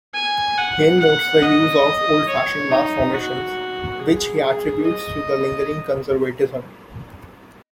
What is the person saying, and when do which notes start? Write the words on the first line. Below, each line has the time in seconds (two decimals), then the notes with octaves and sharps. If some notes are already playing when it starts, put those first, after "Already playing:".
Hale notes the use of old-fashioned mass formations, which he attributes to lingering conservatism.
0.14 G#5
0.57 F#5
0.99 F#5
1.42 D#5
2.28 C#5
2.71 D#4
3.13 F#4
3.99 G#4
4.84 D#5